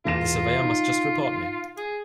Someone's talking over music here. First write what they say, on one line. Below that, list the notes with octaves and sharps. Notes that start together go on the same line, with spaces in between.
The Surveyor must just report me.
E1 F4 A#6 E7
D#4
G#4